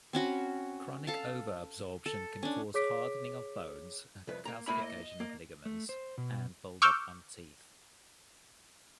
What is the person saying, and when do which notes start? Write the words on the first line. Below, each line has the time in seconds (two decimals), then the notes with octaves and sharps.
Chronic over-absorption can cause hardening of bones, calcification of ligaments, and buildup on teeth.
0.13 C4 C#4 F#4 B5
1.07 A4 F5 A5
2.06 A4
2.43 C#4 D4
2.74 G#4 C#5 D6 B6 D7
4.27 C2 F2 B4
4.45 A#3 A#5
4.68 A2 A#3 E4 C#5 B5
4.83 D#5
5.20 A#3
5.66 A3
5.89 C5
6.18 B2
6.82 C#6 D6 E6 F6 G6